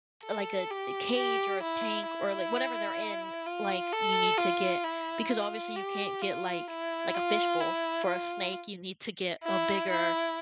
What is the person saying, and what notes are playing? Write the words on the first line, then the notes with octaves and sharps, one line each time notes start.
like, a a cage or a tank or, like, whatever they're in, like, you need to get, because obviously you can't get like like, a fishbowl for a snake, you need to get a bigger
A4
G4
G4
E4
E4
F4
A4
F4
E4
F4
G4
F4
E4
F4
E4
F4
E4
E4